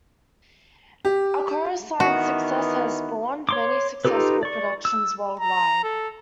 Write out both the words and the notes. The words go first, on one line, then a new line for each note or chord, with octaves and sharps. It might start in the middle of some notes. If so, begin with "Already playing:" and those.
"A Chorus Line"s success has spawned many successful productions worldwide.
G4
D#3 E3 B3 F#4
C#5 C6 D6
D#4 F4 G4 A4 B4
D5 C#6
E6
A#5
A4